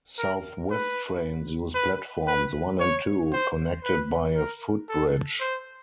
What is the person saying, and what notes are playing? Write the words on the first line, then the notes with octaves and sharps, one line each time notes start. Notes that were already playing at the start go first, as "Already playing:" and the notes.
South West Trains use platforms one and two, connected by a footbridge.
A#4
B4
B4
B4
C#5
C5
B4
A#4
A4
C5